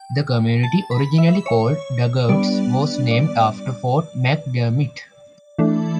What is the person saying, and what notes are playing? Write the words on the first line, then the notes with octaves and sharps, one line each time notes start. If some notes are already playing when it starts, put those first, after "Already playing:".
The community, originally called Dugout, was named after Fort McDermit.
Already playing: G5
A5
B5
E5
C#5
G3 B3 D4 D5
D5
E3 A3 D4